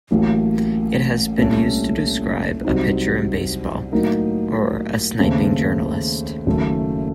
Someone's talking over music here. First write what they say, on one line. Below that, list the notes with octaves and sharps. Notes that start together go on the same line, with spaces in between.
It has been used to describe a pitcher in baseball, or a sniping journalist.
A1 A2 F#3 A#3
C2 A#2 A3 C#4
C2 C3 F#3 C4 D#4
A2 F#3 A#3 D#4 A#4
D#2 C#3 A3 C4
F#1 F#2 D#3 A3